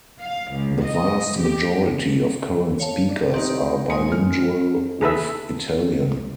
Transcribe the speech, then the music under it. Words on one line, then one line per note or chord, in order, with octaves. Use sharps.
The vast majority of current speakers are bilingual with Italian.
F5
C#2
D#5
G4
C#5 F5 A5
D4
D#3 C4 D#4 E4 G4
A#2 G#3 G#5 C6 C#7
F6
G#4 A4 B4 E5